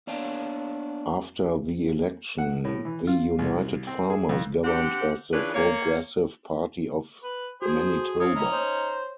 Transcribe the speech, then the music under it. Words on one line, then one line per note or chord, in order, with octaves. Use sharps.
After the election, the United Farmers governed as the "Progressive Party of Manitoba".
A#3 B3 D4 C#5 F5 G5
F#5
A2
E3
F4
C2
C4
G#4
F2
D3 C4 G4 F#5
E3 C#4 D4 F4 G#4 B4
A#3 C#5
B4
F#4 G#4 A4 C5
F3 C4 C#5 D#6
C#4 D#4 E4 A#5
C5 C#5